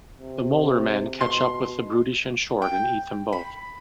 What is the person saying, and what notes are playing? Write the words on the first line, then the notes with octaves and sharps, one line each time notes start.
The Molar Men catch up with Brutish and Short and eat them both.
C3
B2 C6
G5
B5